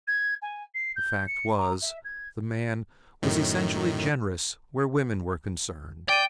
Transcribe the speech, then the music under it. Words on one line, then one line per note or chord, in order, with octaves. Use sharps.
The fact was, the man was essentially generous where women were concerned.
G#6
G#5
C7
G6
C#7
A#5
E5
G#6
F#2 A2 D#3
D5 G5 D7 D#7